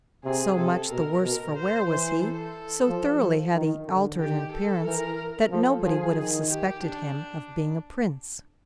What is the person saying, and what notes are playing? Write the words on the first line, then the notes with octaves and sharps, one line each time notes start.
So much the worse for wear was he, so thoroughly had he altered in appearance, that nobody would have suspected him of being a Prince.
C3 G#4
C3 A4
B2 A#4
B2 A#4
C5
E3 C5
A4
F3
F3
D#3
D3
D#3 G4
A4
E3 A#4
F3 A4
F3 G#4
D#3
G4
D4